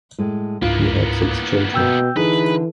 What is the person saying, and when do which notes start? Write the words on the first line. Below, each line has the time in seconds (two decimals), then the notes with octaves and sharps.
He had six children.
0.18 A2 G#3
0.62 C#2 G#2 A#3 B3 D4 E4 F4
1.74 B2 G5 E6 G6
2.16 D3 E3 D#4 G#4 B4